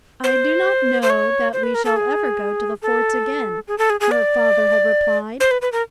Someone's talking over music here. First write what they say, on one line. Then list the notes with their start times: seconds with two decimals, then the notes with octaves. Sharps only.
"I do not know that we shall ever go to the forts again," her father had replied.
0.24 C5
1.02 C5
1.10 C#5
1.53 C5
1.63 B4
1.75 A#4
1.85 A4
1.96 G#4
2.82 A4
3.68 G#4
3.78 A4
3.90 G#4
4.00 G#4
4.11 D5
5.40 C5
5.51 B4
5.62 B4
5.72 A#4